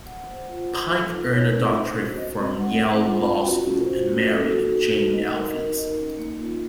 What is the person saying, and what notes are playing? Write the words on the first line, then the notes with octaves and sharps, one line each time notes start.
Pike earned a doctorate from Yale Law School and married Jane Alvies.
F#5
C5
F4
F4
A4
D#4
C#5
C4
C5
F#4
D#5
C4
F#5
C5
F4
F4
F#4
C#4
C5
A#3
A4
F#4
D#4
D#4
D#5
A#4
D#4
D#4
C#4
A#3
F4